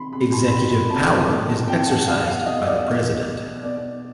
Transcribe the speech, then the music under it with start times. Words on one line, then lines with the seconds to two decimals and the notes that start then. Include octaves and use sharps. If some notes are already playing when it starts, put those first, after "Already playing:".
Executive power is exercised by the president.
Already playing: C3 D#3 B5 C6
0.12 C3 B5
0.32 C6
0.51 D#3 B5
0.90 C3 A5
1.29 D#3 A5
1.49 A5
1.68 C3 G5
1.88 F#5
2.07 B2 F5
2.22 F#5
2.27 F5
2.46 B2 D#5
2.66 D5
2.85 B2
3.24 B2
3.63 B2 D5